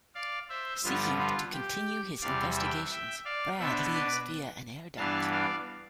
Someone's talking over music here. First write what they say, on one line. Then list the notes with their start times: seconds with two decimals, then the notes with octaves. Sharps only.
Seeking to continue his investigations, Brad leaves via an air duct.
0.15 D5 F5
0.49 C5 E5
0.84 G2 D3 F3 B3 F4
1.18 F4
1.52 G4
2.21 E2 C3 G3 D5 F5
2.56 E5 G5
2.91 E5 G5
3.25 D5 F5
3.59 B2 B3 D4 C5 E5
3.94 B4 D5
4.97 G2 E3 B3 D4 F5 A5
5.31 D5 F5